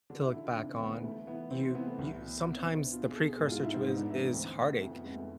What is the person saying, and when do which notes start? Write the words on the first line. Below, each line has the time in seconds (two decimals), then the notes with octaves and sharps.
to look back on, you you sometimes the precursor to is is heartache,
0.10 D3 D4
0.22 E4
0.33 D3 E4
0.45 F4
0.53 E4
0.57 C3 D4
0.69 C4
0.80 D2 B3
0.93 A3
1.04 E3 A3
1.27 E3 B3
1.51 C3 C4
1.63 C4
1.75 E3 B3
1.87 A3
1.99 C2
2.22 B2
2.45 C3 B3
2.57 C4
2.68 C3
2.80 D4
2.92 B2 F4
3.04 G#4
3.15 B2 A4
3.28 G#4
3.39 G#2 G#4
3.52 F4
3.62 G#2 E4
3.74 C4
3.86 G#2 B3
3.98 D4
4.10 E3 E4
4.22 D4
4.33 D2 C4
4.57 C3
4.80 F2 A3
4.92 B3
5.04 F2 G#3
5.15 A3